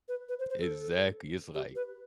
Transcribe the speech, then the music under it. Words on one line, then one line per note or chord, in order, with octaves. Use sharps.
Exactly, it's like,
B4
B4
C5
C5
A4
G4
B4